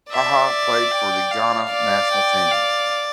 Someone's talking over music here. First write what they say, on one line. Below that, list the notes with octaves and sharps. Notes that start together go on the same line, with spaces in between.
Paha played for the Ghana national team.
D5 E5
E5
G5
F5
D5
G5
F5